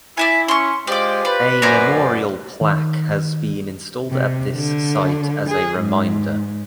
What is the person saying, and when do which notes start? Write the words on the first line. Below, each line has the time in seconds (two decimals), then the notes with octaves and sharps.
A memorial plaque has been installed at this site as a reminder.
0.17 E4 D5 E5 G#5
0.48 C#4 C6 C#6
0.87 G#3 F4 G4 C5 D5 D6
1.25 B4 D5
1.62 F#2 C5 D5 G#5 A#5
2.61 D#3
4.10 C3
4.55 D3
5.49 G#4
5.79 G#2